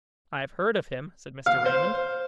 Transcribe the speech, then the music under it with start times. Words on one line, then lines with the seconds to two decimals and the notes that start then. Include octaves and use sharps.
"I've heard of him," said Mr. Raymond.
1.46 F5
1.65 C5